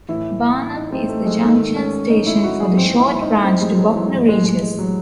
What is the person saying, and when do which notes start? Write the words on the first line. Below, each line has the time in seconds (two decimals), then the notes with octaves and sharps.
Barnham is the junction station for the short branch to Bognor Regis.
0.08 A2 E3 E4
0.76 D#4
0.92 C4
1.09 A3
1.26 G#3
1.43 G#2 D#3 A3
1.76 C#4
2.10 D#4
2.27 E4
2.43 F#4
2.60 G#4
2.77 G#2 E3 C4
2.99 E4
3.22 D#4
3.44 C4
3.61 G#3
3.78 F#3
3.94 E3
4.11 A2 E3
4.28 G#3
4.45 G#3
4.62 G#3
4.79 F#3